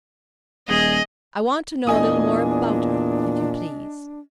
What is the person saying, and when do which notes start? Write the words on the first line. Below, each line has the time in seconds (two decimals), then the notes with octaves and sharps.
"I want to know a little more about her, if you please."
0.68 D#1 G#4 D#5
1.87 E2 A#2 D4 D#5 G#5 D#6